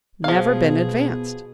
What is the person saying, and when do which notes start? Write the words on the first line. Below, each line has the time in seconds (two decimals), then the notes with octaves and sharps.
Never been advanced.
0.24 B2 F3 B3 G#4 F5